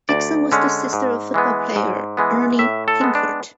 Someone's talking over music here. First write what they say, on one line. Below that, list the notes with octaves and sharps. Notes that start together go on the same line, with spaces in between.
Dixon was the sister of football player Erny Pinckert.
D2 D5
D3 G#3 C#4
G#2
E3 G#3 B3
G#2
E3 G#3 B3
A2 E5
A4
G#3 B3
D4